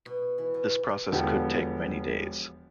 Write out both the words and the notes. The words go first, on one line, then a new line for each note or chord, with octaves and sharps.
This process could take many days.
B2
E3
B2
E1 D3 F3 B3 F#4 G4